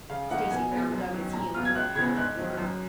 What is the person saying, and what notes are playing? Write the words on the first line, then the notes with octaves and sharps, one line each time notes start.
Stacy Brown dug his heel into the floor for order.
C#3 F5
F3 A#3 D#4 F#5
B2 G#5
G#3 B3
F#2
D#3 F#3
A#2 A#5
F#3 B3 F4 F6
G#6
C#2 F#6
C#3 G#3 B3 G#6
G#2 F#6
D#3 F#3
F#2